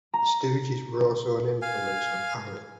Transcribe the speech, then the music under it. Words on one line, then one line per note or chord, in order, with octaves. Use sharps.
The Stooges were also an influence on Allin.
A#5
F5 G#5